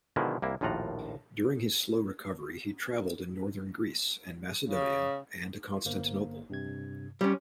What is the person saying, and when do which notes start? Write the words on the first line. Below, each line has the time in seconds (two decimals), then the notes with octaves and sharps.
During his slow recovery he travelled in northern Greece, and Macedonia, and to Constantinople.
0.16 B2 D3 D#3 F3 G#3 E4
0.42 C2 A#3 E4
0.61 A#1 D#2 A2 F4 F#5 A#5
4.65 C#3
5.85 G1 A#3 C5
6.50 G2 C3 G#6
7.21 G3 C#4 C#5 C6 F6